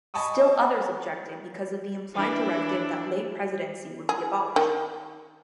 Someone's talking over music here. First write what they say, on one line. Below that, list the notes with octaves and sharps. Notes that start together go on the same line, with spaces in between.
Still others objected because of the implied directive that lay presidency would be abolished.
D#5 G#5 A5 B5 C#6 D#6
E3 D4 E4
G#4
D#3